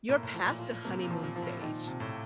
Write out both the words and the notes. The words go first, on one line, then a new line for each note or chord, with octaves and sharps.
you're past the honeymoon stage.
A2 A#3
A2
F3
A#2
F4
C3 A#3
A#2
F3
A#2
F3
A2
A#2 D#3
C3
A2